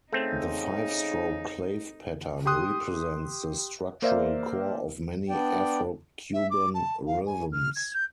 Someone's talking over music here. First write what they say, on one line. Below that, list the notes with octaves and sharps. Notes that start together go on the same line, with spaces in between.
The five-stroke clave pattern represents the structural core of many Afro-Cuban rhythms.
C#3 A3 C4 D#4
G4 G5 C6 D#6 F#6
A#3 A#4 C5 D5 E5 F5
B3 D4 D5 G5
E5
D6
A5
F5
G#5
F6
G#6
G6